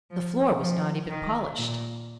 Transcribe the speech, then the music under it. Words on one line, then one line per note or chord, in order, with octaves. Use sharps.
The floor was not even polished.
F3
F3
D#3
A#2